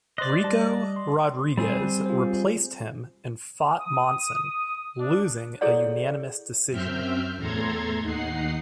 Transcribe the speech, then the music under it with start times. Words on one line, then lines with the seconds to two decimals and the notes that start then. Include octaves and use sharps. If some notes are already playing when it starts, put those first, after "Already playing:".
Ricco Rodriguez replaced him and fought Monson, losing a unanimous decision.
0.18 C5 D5 D#5 C6 F#6
0.44 G3 A5
0.96 C6
1.57 G3 C4 G#4
2.06 F4 C5
3.79 D#6
4.99 D4
5.61 E4 G#4 A4 C#5 D5 F#5
6.71 F#2 C4 E5 F6 G6
7.37 E2 A2 A4 A#5 C6 G#6
8.01 D#2 D#4 F#5 C7